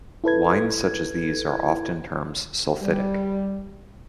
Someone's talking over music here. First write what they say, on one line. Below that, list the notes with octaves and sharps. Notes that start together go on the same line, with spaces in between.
Wines such as these are often termed "sulfitic".
E4 A4 B4 G#6
G3